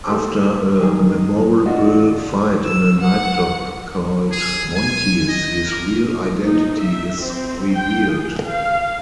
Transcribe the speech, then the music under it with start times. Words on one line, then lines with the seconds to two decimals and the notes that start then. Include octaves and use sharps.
After a memorable fight in a nightclub called 'Monty's', his real identity is revealed.
0.07 A2 A#3 G4 A4
0.79 D#3 G#3 G#4 A#4
1.65 D4 F4 F#4 D#5
2.65 E6
3.01 F#5
4.32 G#4
4.76 G#5
5.29 D#5
5.66 A#4
6.42 D#4
6.78 E5
7.22 C4
7.73 G5
8.10 G#4
8.45 F5